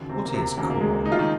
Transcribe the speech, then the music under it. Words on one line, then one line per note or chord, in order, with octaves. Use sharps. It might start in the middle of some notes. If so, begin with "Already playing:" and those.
What is Corn?
Already playing: D#2 C#3 F#3
C3 C4
A#3
C3 C4
D#2 C#3 F#3 A#3
A#3
G#3
D#4
F4
D#3 D#4